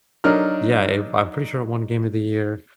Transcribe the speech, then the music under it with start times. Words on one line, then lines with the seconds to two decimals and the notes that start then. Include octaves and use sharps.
yeah if I'm pretty sure won Game of the Year,
0.24 F#3 D4 D#4 A#4 F6